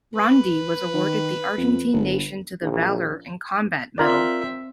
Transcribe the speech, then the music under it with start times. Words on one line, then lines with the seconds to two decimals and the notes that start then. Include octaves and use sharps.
Rondi was awarded the Argentine Nation to the Valour in Combat Medal.
0.16 B4
0.94 D#3
1.57 F2
1.93 G1
2.62 A#1
3.98 C4 F4 A#4 D5 E5